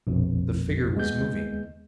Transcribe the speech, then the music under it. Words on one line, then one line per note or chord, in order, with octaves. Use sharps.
The figure was moving.
A#1 F2 B2
D#2 G#3 B3 G6